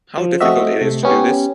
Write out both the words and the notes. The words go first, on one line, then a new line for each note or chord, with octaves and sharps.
How difficult it is to do this?
F3
A3 C4 F#4 D#5 E5
C3 A3
B3 C#4 G4